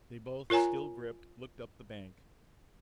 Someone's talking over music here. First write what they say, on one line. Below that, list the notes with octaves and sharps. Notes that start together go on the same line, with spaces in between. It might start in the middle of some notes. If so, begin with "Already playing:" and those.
They both, still gripped, looked up the bank.
F4 A#4 C#5 G#5 A#5